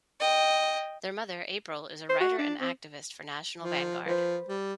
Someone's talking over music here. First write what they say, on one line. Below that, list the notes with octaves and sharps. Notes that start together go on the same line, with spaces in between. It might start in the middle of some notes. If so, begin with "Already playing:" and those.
Their mother, April, is a writer and activist for National Vanguard.
D#5 G5
C5
F#4
D4
C4
F3
F3 B4 C5
G3